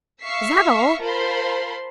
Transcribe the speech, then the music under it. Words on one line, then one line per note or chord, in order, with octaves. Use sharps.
"Is that all?"
E5 F5 C#6 E6 B6 C7
F4 A#4 C5 A5 B5 C6